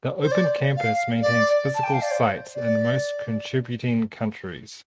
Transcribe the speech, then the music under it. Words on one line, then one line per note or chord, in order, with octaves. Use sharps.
The Open Campus maintains physical sites in most contributing countries.
C5
D5
F5
D5
A5
G5
F5
D5
C5
D5